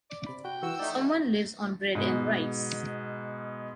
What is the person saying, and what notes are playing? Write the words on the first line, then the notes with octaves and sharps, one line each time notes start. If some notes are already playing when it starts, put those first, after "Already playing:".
Someone lives on bread and rice.
D5
C3 B5
F#4 G5
E3 F#4 E6
A3 D#4 D5
A3 F#5
G#2 B2